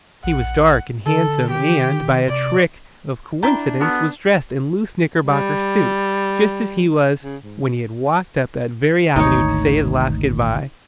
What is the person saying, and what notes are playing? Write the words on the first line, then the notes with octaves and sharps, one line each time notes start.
He was dark and handsome, and, by a trick of coincidence, was dressed in loose knickerbocker suit, just as he was when he had walked up that very avenue to say his last good-bye.
A#1 F#5
D3 A4
D#3 G4
C3 D5
D4 E4 G5 A5 A#5
B3 F#4 A4 A#4
G3
C#3
G#2
G#1 D2 D#4 C#5